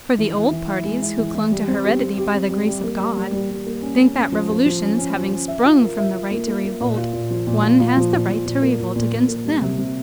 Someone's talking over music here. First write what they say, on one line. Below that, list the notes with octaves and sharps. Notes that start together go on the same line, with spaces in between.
For the old parties who clung to heredity by the grace of God, think that revolutions, having sprung from the right to revolt, one has the right to revolt against them.
E3
E3
E3
E4
G#3
E4
E3
E3
G3
C4
G4
C4
G4
C4
G3
G3
A#3
G3
G3
G3
G3
A#3
C#4
C#4
C#4
F3
F3
F3
C#4
C#4
F3
C#4
E5
F4
A#4
E5
F4
A#3
A#3
A#3
A#2
F4
A#2
F3
A#2
F4
F4
F3
A#2
F3
A#2
A#3
A#2
A#2
A#2
A#3
G3
C3
C3